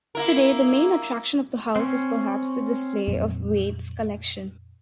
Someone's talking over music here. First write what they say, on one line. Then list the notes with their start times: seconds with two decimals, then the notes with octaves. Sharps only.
Today, the main attraction of the house is perhaps the display of Wade's collection.
0.15 A#3 E4 A#4
1.76 C4 C#4
3.08 F2 A#2 F#3